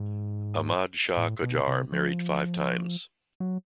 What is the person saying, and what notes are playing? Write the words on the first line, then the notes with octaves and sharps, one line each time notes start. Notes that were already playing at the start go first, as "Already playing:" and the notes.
Ahmad Shah Qajar married five times.
Already playing: G#2
A2
B2
C3
F3
F#3